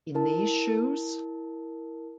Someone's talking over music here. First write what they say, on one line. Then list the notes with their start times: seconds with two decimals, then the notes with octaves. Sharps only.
In These Shoes?
0.15 E4 A#4 A5